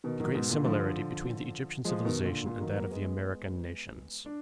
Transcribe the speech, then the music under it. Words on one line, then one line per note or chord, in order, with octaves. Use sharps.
The great similarity between the Egyptian civilization and that of the American nations.
B2 D#3
D#3 F#3
G#2 B2
A#2 D3
D3 F3
F3 G#3
B2 D#3
A#2 D3
A#2
D#3 F#3
F#3 A#3
G#3 B3
D4